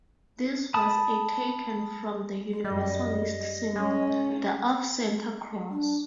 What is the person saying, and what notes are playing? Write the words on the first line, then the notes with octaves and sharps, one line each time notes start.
This was a taken from the Universalist symbol, the Off-Center Cross.
A5 B5 D#6
F#2 G3 D#5
G#3 C#4
D4